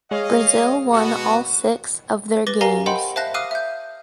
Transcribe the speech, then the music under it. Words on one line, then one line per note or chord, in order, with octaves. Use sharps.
Brazil won all six of their games.
G#3 C#5 D#5 F5
B2 B3 F#4
B4 D6 A6 A#6 G7
G4 A#4 F5 G#5 A#5 A#6
C5 D#5 F#5 G5 B5 C6
C5 E5 F5 A5 F#6 A#6
F5 D6 D#6 F6 F#6 D#7
E5 G6